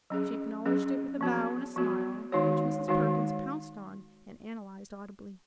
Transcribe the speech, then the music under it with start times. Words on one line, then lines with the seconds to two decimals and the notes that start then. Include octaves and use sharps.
She acknowledged it with a bow and a smile which Mrs. Perkins pounced on and analyzed audibly.
0.10 F#3 C#4 G#4
0.66 F#3 C#4 G#4
1.21 F3 B3 F#4
1.76 F3 B3 F#4
2.32 D#3 G#3 D#4 F#4 C#5
2.88 D#3 G#3 D#4 F#4 C#5